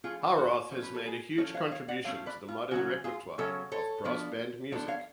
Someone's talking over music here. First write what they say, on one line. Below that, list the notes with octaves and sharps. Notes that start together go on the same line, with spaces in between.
Howarth has made a huge contribution to the modern repertoire of brass band music.
F3 A3 C#4 F4 G#4
F#4 A4
F3 A3 C#4 C#5
B4
A4
G#4 B4
F3 A3 C#4 A4 C#5
C#5 F5
C#5 F5
D5 F#5
F3 A3 C#4 C#5 F5
B4 D5
F4
C#3 F#3 C#4 F#4
F4 G#4
C#3 F#3 C#4 A4 C#5
A4 C#5
F3 B3 D4
F3 B3 D4 A4 C#5
C#5 F5